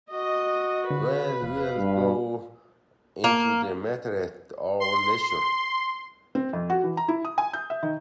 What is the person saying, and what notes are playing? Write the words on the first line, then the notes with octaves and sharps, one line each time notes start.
Well, we’ll go into the matter at our leisure.
F#4 D#5
D3 B4
F1 F5
G2
A#3
C6
C4
F2
F#4
E3
A#5
E4
D#6
G#5
G6
E5
D#3